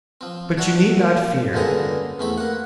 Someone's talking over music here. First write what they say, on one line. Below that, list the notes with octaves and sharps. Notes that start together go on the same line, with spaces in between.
But you need not fear.
F3 C4
D4 F#4 E5
A#2
C#2 G2 D3 A#3 G#4 A#5
E2 A3 C4 B5
A#3 F#5